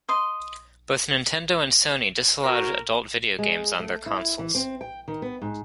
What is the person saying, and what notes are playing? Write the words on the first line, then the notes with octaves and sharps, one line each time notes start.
Both Nintendo and Sony disallowed adult video games on their consoles.
D#5 C6
F#4 A#4
G#3
A3
E4
E3
C4
G5
D#3
B3
G#2